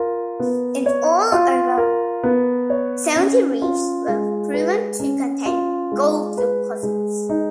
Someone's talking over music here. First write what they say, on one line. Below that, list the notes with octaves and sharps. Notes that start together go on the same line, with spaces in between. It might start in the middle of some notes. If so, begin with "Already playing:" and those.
In all, over seventy reefs were proven to contain gold deposits.
Already playing: F4 A#4
B3
C#5
F4
A#4
B3
C#5
C#4
F4
G#3
B4
C#4
F4
G#3
B4
G#3
D#4